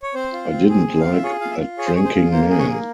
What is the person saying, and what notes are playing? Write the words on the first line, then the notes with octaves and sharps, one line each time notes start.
I didn't like that drinking man.
C#5
C4 C5
F4
C4
G#4
C4
F4 F5
E5
G#4 C#5
F4 F5
E5
F4
G#4 C#5
C5
G#4 C#5
C5
F4
A#3 C5
G#4
C#5
A#3